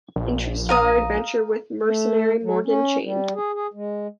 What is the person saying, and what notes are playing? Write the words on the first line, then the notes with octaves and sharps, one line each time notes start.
Interstellar adventure with mercenary Morgan Chane.
A#1
F5 A#5 D#6
A3
F#3
C#4
G3
G#4
G#4
G#3